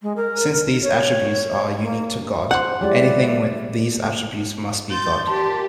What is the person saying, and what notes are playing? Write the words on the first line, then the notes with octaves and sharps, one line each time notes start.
Since these attributes are unique to God, anything with these attributes must be God.
G#3
A#4
C#5
A#3
C5 F#5 C6 F#6
F#3 G#3 E4 G4 D5
C6 G6 A6
A#2 G4 A5